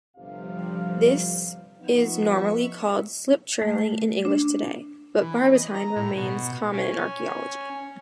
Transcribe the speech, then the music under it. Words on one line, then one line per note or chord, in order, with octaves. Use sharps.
This is normally called slip-trailing in English today, but "barbotine" remains common in archaeology.
G1 C3 F3 G3 F5
F3 B3 D#4 E5 C#6
A3
D4
E3
D#5
A#5
A2
B2
C#4
C#4